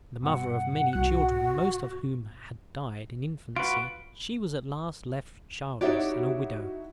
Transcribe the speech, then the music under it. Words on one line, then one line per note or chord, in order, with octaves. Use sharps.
The mother of many children, most of whom had died in infancy, she was at last left childless and a widow.
G2 B2 F#5
C2 F#4 F#6
F4 F#4 B4 D7
D#4 E4 F#4 G4 C#5 D5